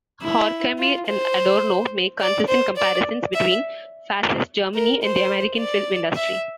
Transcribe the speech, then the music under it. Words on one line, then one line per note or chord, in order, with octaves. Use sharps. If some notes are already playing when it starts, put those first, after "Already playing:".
Horkheimer and Adorno make consistent comparisons between Fascist Germany and the American film industry.
E4
F4
C5
D5
C5
D5
E5
A#4
C5
D5
E5